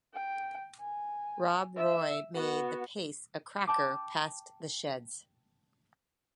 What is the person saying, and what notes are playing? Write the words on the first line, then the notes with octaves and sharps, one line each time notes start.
Rob Roy made the pace a cracker past the sheds.
G5
G#5
E5 E6
B3 F#4
G5 A5 D6